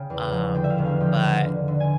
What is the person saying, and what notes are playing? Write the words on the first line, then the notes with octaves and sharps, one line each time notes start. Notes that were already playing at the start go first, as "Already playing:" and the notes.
um, but
Already playing: C#3 G5
E2
F3
D3 G5
E5
F5
E1
F5
F3 G5
E1
D3
D3
G#5